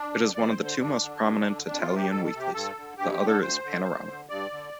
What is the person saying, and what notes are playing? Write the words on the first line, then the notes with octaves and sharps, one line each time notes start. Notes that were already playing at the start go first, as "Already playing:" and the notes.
It is one of the two most prominent Italian weeklies; the other is "Panorama".
Already playing: D4
D3
F2 D5
C5
D3
C5
G2 D4
D3
G2
D3
F2 D4
F4
C3
G4
F2 A4
A4
C3
G4
G2 A4
D3
G2 G4
G4
D3
A4
D2 C5
D3
D2
D3
G2 D5
D3